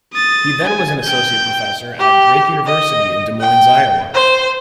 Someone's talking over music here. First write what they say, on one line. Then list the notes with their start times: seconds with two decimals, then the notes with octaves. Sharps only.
He then was an associate professor at Drake University in Des Moines, Iowa.
0.13 D#6 A6
0.63 G#5
1.04 G5 G6
2.00 G4
2.66 D#5
3.41 G5
4.14 C5